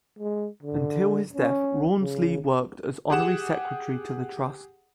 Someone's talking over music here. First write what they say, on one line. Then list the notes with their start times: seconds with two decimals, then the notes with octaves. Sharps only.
Until his death, Rawnsley worked as Honorary Secretary to the Trust.
0.19 G#3
0.63 D3
1.34 C#4
2.01 C#3
3.10 G4 G#4 F#5 E7